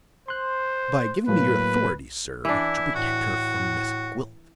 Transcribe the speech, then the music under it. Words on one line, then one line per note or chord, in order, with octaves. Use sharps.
"By giving me your authority, sir, to protect her from Miss Gwilt."
C5 C6 F#6
A2 F#3 A#3 B4
E3 D4 E4
A2 F#4